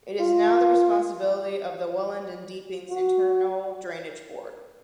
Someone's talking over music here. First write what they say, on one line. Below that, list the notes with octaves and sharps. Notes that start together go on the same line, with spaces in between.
It is now the responsibility of the Welland and Deepings Internal Drainage Board.
F4
F#4